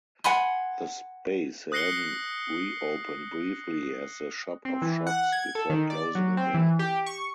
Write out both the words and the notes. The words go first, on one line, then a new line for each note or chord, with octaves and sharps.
The space then reopened briefly as the ‘Shop of Shops’ before closing again.
F#5 G#5 B5 C6
D#6 F#6 A#6 C7 C#7 G7
C4
E3
F#5
G#6
A4
D#3
D5
F#3
C4
E3
G4
C#6